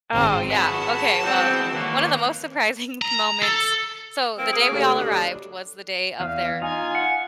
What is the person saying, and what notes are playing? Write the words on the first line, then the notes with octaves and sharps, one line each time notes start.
Oh, yeah, okay. Well, one of the most surprising moments so, the day we all arrived was the day of their
G#1 C4
F#4 G#4 B4 A5
E3 G#3 B3 C4 C5
D#3 A#3 B4 C#5
A#5
A4
E3 A#3 C4
A#3 G#4
C#3 A3 G4 A4
D2 B2 D4
E2 F5
D#4 F4 G#5
F#5